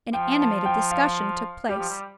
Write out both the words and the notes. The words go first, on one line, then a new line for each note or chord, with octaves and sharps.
An animated discussion took place.
F3 G5
A5
G5
F5
G3 G4
F3
G3